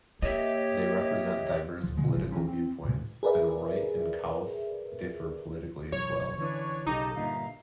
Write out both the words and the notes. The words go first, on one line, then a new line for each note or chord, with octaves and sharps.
They represent diverse political viewpoints, and Wright and Kaus differ politically as well.
A#3 G4 C#5 D#5 E5
D1 F3
B2 D3 F#3 G#3
G#1 C#3 F3 G#3
E3 C4 C#4
C4
A2 C3 G#3
G#4 A#4 B4 D5 E5
E1 F#2 C#5
D3 E3 C#4 D4 B4 C#6
B1 C#3 D#4 G4 A4 D6
G2 A#2 D3 E5 F5 A#5